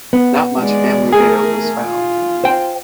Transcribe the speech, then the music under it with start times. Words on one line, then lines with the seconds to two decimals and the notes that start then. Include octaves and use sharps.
Not much family data was found.
0.13 B3
0.58 G#3 D5
1.12 A3 G#4 A#4
1.85 F4
2.44 C5 G5